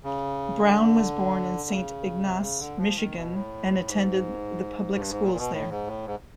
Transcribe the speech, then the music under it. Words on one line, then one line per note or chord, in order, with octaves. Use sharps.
Brown was born in Saint Ignace, Michigan and attended the public schools there.
C#3
D3
C#3
C3
C#3
D3
F3
D#3
B2
A2
G#2
G2
G#2
A#2
B2
A2
G#2
A2
G#2